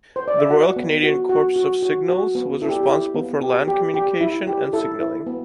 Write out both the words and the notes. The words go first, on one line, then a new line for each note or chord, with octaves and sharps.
The Royal Canadian Corps of Signals was responsible for land communication and signalling.
C5
D5
E5
F#4 F#5
B3
F#4
F#4
F#4
F#4
F#4
B3
E4 A4
G4
G4
E4
B3
G4
G4
G4
E4
G4
E4 A4
E4
B3